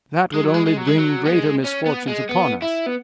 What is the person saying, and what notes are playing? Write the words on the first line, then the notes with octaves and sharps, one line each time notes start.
"That would only bring greater misfortunes upon us."
G#3
F#3
G#3
G#3
F#3
G#3
F#3
B3
G#3
C#4
B3
G#3
B3
E4
B3